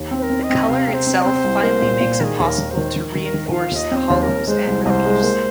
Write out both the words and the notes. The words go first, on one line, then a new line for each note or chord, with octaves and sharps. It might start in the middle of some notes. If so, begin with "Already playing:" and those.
The colour itself finally makes it possible to reinforce the hollows and reliefs.
Already playing: D#2
C4
C5
A#4
C4
D#5
C4
C3 F5
C4
C5
C4
D#5
C4 C5
C2
A#3
A#2
A#2
D#3 G#4 A#4
D#2
A#4
D#3
C5
D#3
D#3
D#3
A#4
D#3
G#5
F4 F5
D#2 D#5 F5
C4
C5
D#2
A#4
D#2
G#3 C5
C2
C2 C5 D#5
G#3
A#3